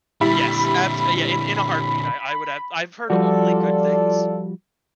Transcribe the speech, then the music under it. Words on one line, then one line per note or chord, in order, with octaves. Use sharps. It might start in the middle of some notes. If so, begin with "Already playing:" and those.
Yes, abs yeah, in in a heartbeat, I I would have I've heard only good things,
A#2 D3 G3 E4 B5
F3 G3 F4 F#4 A4 D5